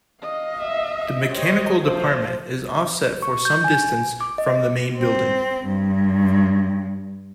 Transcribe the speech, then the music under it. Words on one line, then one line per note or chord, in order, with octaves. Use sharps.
The mechanical department is offset for some distance from the main building.
D#5 F5
E5
G4 C5 C#5 D#5
F3 A3 C5
C#6
G6
G#5
D6
D#5
C4
G2